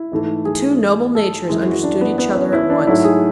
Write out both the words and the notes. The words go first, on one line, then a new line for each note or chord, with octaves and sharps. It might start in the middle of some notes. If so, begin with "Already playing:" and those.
The two noble natures understood each other at once.
Already playing: E4
G#2 E3 A3
G#4
A4
F#2 E3 G#3
F#4
D4
B3
B3
C#4
E4
D4
G#2 F#3 A3 E4
G#4